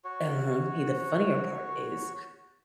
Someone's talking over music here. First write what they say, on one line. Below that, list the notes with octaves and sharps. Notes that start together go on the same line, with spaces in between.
Um, he the funnier part is
F#4 C#5